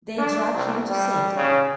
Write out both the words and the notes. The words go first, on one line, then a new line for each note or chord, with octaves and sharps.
They drag him to safety.
D4
C2
G3
C#3